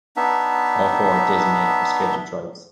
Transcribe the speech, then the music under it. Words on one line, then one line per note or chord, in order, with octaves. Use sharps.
All four are designated for scheduled tribes.
B3 D4 D#4 E5